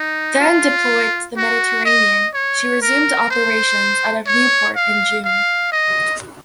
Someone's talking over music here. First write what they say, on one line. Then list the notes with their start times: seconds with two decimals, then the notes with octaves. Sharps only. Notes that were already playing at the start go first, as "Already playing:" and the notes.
Then deployed to the Mediterranean, she resumed operations out of Newport in June.
Already playing: D#4
0.40 F4
1.37 F#4
1.85 D#5
2.34 C#5
2.82 A#4
3.31 C5
4.27 C#5
4.76 F5
5.24 F5
5.72 D#5